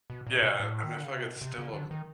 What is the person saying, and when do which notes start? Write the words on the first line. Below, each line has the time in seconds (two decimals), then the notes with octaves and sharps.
Yeah, I I mean, I feel like it's still, um,
0.10 B2
0.27 A#2
0.43 B2
0.60 A2
0.83 D#3
0.93 D3
1.04 C#3
1.15 C3
1.25 B2
1.41 C3
1.58 C#3
1.74 D3
1.91 D#3